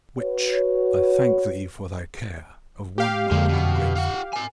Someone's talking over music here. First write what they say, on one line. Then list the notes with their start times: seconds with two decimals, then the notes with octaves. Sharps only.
'Witch, I thank thee for thy care of one not ungrateful.
0.20 F#4 B4 C#5
2.98 G4 F5
3.31 F2 D3 G#3 A#3
3.49 B2 B3
3.96 F4 F#5
4.33 A#4 G#5